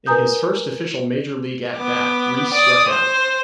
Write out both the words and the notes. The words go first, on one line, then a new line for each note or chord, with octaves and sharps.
In his first official major league at-bat, Reese struck out.
A#4 B4 G#5 A#5 D#6 G6
B3 D6
D5 D#6
C5